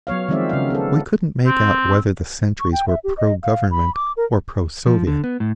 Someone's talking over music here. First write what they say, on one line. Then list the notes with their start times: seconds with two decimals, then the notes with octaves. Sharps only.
We couldn't make out whether the sentries were pro-Government or pro-Soviet.
0.07 F#3 B3 C#5 F5
0.29 D#3 F3 G#3 C4 D5 E5
0.49 C#3 F5
0.70 B3 A4
1.47 C4
2.60 C#6
2.72 G5
2.88 E5
3.04 G4
3.18 D#5
3.43 F5
3.71 B5
3.95 D6
4.17 A#4
4.86 F3
5.07 D3
5.24 B3
5.40 A2